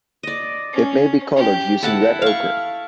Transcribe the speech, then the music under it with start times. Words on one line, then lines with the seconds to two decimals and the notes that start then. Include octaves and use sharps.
It may be colored using red ochre.
0.23 D5 D#5
0.73 C#4
1.36 G4
1.83 E4 A4 F#5 A5
2.22 F5 C#6